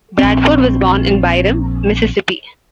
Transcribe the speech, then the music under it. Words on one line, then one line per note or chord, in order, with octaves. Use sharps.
Bradford was born in Byram, Mississippi.
A#1 C4